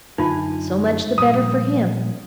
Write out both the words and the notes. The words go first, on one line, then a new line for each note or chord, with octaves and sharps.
So much the better for him.
F#2 D3 D#4 F4 G#5
A#2 F3 G3 D#6